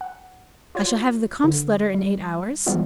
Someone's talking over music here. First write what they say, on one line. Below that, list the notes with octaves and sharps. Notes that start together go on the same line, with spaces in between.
"I shall have the comte's letter in eight hours?"
F#5
F4 F#4 C#5 G#6
D3
G3
E3 F3 G3 G#3 B3 F4